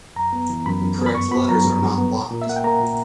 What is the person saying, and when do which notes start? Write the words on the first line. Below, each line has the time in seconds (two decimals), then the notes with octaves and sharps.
Correct letters are not "locked".
0.16 F#2 A#5
0.33 B3
0.50 E3
0.66 F#2 B5
0.82 F#2
0.99 B3
1.06 B5
1.15 G2 C#6
1.31 B3 B5
1.49 F#3 A#5
1.65 G2
1.82 G2
1.98 B3
2.14 A#2
2.31 A#2
2.42 E5
2.47 A#3 F#5
2.56 G5
2.64 A#3 A#5
2.81 A#2